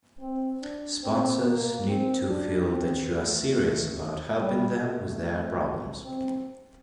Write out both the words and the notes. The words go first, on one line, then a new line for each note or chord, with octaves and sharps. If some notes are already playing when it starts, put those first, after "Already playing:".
Sponsors need to feel that you are serious about helping them with their problems.
C4
D4
C4
A#3
C4
D4
C4
A3
G3
A3
C4